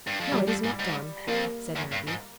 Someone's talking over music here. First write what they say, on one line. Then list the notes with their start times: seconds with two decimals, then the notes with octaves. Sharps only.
"No, it is not done," said Maggie.
0.07 G2
0.20 F2
0.32 E2 G3
0.48 F2
0.64 G#2
0.80 G#2
1.27 F2 A#3
1.76 E2
1.92 G2
2.07 G#2